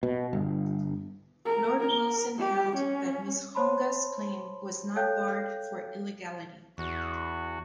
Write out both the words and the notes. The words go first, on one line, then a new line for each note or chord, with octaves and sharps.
Lord Wilson held that Ms Hounga’s claim was not barred for illegality.
B2
G1
A#4
A#4
G4
C#4
C5 C#5 A5 B5 C6
A4 C#5 F5 G5 F#6 G6
E2 F#4